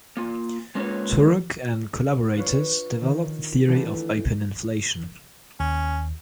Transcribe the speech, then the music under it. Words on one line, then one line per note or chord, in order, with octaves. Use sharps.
Turok and collaborators developed the theory of open inflation.
A#3 F4
G#3 A#3 C#4 F4 B4 C#5
D4 F4 B4 C#5
D#3
E3 A3 B3 D4
D#2 C#4